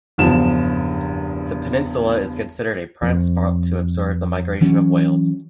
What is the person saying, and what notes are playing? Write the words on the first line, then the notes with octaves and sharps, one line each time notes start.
The peninsula is considered a prime spot to observe the migration of whales.
F#1 E2 G2 F3 E7
F2
E3 F#3 C#4